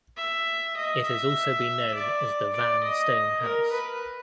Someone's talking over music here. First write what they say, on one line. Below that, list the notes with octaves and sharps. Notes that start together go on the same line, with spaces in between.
It has also been known as the Van Stone House.
E5
D#5
E5
D5
D5
D#5
A#4
B4